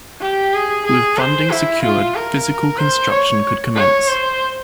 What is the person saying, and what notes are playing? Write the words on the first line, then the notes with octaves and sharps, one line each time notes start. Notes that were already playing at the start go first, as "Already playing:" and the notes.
With funding secured, physical construction could commence.
G4
G#4
G#4
C5
E4
F4
A#4
C5
C#5
C#5
C5